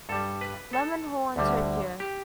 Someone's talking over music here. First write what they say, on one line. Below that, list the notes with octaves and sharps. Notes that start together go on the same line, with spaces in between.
Lemon Hall in Tokyo.
G2 G3 A4
B4
A4
D2 D3 G3
G4